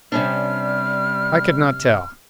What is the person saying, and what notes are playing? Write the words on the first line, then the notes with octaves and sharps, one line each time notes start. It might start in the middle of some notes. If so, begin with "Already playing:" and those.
I could not tell.
C3 G3 C#4 D4 F6